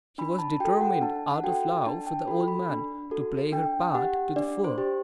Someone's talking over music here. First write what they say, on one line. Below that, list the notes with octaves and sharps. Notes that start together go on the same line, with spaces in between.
She was determined, out of love for the old man, to play her part to the full.
D4 B5
A5
F#4 A4 G5
F#5
D4 A5
F#5
F#4 A4 G5
D4 A5
G5
F#4 A4 B5
B5
D4
F#4 A4
D4 G5
G4 F#5
D4 D5
C5
G4